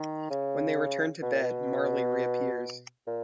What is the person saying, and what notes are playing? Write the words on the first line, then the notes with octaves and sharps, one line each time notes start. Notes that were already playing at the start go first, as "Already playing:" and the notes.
When they return to bed, Marley reappears.
Already playing: D#3
C#3
B2
A#2
B2
A#2